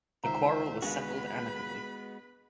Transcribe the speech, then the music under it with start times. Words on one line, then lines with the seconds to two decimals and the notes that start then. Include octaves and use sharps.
The quarrel was settled amicably.
0.24 C#2 D#3 C5 E5 A#5
0.82 G#3 B3 D4 F#4 B4 F5 B5